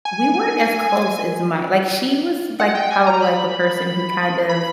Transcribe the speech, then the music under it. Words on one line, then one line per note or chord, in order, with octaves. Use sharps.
we weren't as close as my like she was, like, probably like the person who kind of
G#5
F#5
G5
G#5
A#5
B5
B5